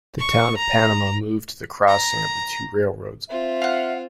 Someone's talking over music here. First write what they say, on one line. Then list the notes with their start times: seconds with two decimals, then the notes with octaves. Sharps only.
The town of Panama moved to the crossing of the two railroads.
0.19 C#6
0.57 A#5
1.88 A#5
3.29 C4 F4 E5
3.62 F5 F#5